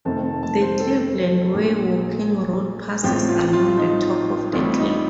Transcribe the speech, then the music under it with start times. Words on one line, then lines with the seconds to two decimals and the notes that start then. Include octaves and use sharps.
The Cleveland Way walking route passes along the top of the cliff.
0.05 F1 F2 D#3 A3 C4 A5
0.24 A5
0.43 A5
0.61 C5
0.80 A4
1.54 A#1 A#2 A3
3.03 A1 A2 F3 C4 G4
3.29 F4
3.53 F4
3.78 D#4
4.53 A1 A2 G3 C4 F4
4.78 D#4